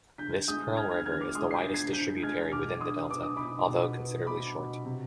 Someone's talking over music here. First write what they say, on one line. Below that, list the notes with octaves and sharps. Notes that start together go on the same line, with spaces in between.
This Pearl River is the widest distributary within the delta, although considerably short.
D3 G6 B6
G#3 D#6 G6
D4 F6 G#6
F6 G#6
D3 F6 G#6
D6 F6
G#3 C6 D#6
C7
G6 B6
D4
G#6 C7
D4 G6 B6
G#3 F6 G#6
B2 D6 F6
D4 C6 D#6
B3 D6
D#6
B2 B5 D6
B2
B3
B2 B5 D6
B2
C3